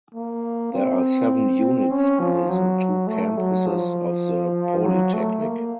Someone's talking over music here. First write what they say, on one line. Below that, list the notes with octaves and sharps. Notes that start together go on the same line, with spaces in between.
There are seven unit schools in two campuses of the polytechnic.
A#3
C4
C#4
F3
F#3
A3
F#3
F3
F#3
A3
A#3